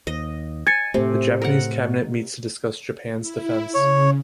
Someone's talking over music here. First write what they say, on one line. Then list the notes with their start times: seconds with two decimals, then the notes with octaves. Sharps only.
The Japanese cabinet meets to discuss Japan's defence.
0.07 D#2 D#5
0.67 G#5 G#6 A6 C#7
0.94 A2 C3 A3 C5
1.42 A#4 F#5
3.21 E4
3.74 C#3 C#5